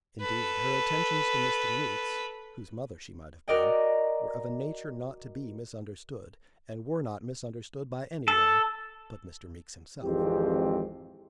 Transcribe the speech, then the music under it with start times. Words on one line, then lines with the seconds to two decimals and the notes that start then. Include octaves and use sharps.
Indeed, her attentions to Mr. Meeks, whose mother she might have been, were of a nature not to be misunderstood, and were not misunderstood by anyone but Mr. Meeks himself.
0.21 A4 B4
3.48 F#4 A#4 D5 D#5 G5
8.28 A4
10.03 G#1 F2 E3 G#3 C4 G4